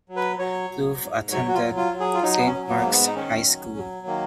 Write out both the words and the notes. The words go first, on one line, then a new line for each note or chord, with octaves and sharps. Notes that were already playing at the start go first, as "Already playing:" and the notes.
Plouffe attended Saint Mark's High School.
F#3
B4
F#3 C#5
F#3
G#2
F#3 C#5
F#4
F4
F#3
F4
F#3
G#4
F4
F#3 D#4
B3
C#4
F#3
B3
G#2 A#3
B3
D#4
D#3 C#4
F#3
F#3
D#3 A#3